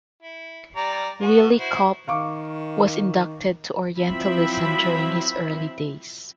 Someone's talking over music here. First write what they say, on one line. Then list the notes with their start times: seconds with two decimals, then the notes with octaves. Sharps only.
Willy Kaup was inducted to orientalism during his early days.
0.23 E4
0.76 G3 D5 A#5
1.21 B3 F#4
1.59 E4 F#4 C5
2.07 D#3 F5 C#6 D6
3.98 F3 F#3 C4 E4 E5 B5